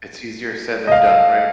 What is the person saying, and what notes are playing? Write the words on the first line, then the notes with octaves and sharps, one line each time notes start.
It's easier said than done, right?
D#5
F5